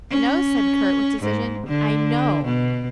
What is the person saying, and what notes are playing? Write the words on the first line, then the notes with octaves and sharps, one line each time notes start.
"No," said Kurt with decision, "I KNOW."
C#4
G#2
D3
B2